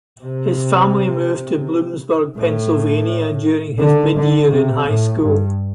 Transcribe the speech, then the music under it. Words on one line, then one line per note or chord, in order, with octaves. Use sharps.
His family moved to Bloomsburg, Pennsylvania during his mid-year in high school.
C3
A2
D3
D3
C3
A2
G2